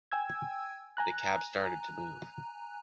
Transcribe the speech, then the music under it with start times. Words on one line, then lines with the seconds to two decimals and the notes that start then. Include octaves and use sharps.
The cab started to move.
0.12 G5 G#5 E6 G#6
0.97 G#5 A#5 F#6